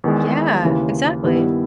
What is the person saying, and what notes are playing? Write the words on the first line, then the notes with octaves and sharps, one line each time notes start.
Yeah, exactly.
E2 D#3 G#3
D#2 C#3 E3 A#3
G2 D#3 G3 B3 E4